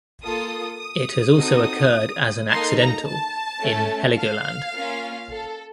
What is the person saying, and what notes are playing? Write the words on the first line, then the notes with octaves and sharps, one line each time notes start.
It has also occurred as an accidental in Heligoland.
A#3 F4 A4 D#6
D#6
C4 D#4 F#4 A4
A#3 D#4 A4 C6
A#5
A5
A3 C#4 A4
F5
A#3 C#4 F4
A4